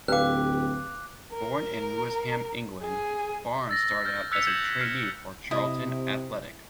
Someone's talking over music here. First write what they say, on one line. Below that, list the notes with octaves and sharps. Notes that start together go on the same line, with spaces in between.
Born in Lewisham, England, Barness started out as a trainee for Charlton Athletic.
D1 G4 B4 F5 D6 F#6
A#4
G#4
E6 A6 A#6
F6 G6 A6 A#6
E6 F#6 G#6 B6 C#7 F7
G6 G#6 E7 F#7
F6
C3 E4 D#5